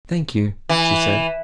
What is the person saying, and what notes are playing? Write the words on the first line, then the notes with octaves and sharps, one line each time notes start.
"Thank you," she said.
E3